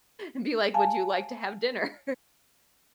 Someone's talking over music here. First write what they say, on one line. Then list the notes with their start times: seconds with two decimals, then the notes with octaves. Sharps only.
and be, like, "Would you like to have dinner?"
0.74 F5 G#5 A5